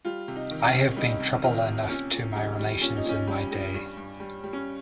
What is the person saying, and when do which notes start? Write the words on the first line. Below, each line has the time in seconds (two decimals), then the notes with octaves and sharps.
I have been trouble enough to my relations in my day.
0.05 G3 F4
0.28 C3
0.36 D#4
0.51 D#3
0.66 C#4
0.74 C3
0.96 G3 D#4
1.20 C3
1.43 D#3 F4
1.66 C3
1.89 A#2 C#4
2.12 A#2
2.35 G3 D#4
2.59 G3
2.81 A#2 C#4
2.96 D#4
3.05 A#2 C#4
3.27 G3
3.51 G3
3.74 G2
3.97 G2
4.20 G3
4.44 G3
4.53 C#4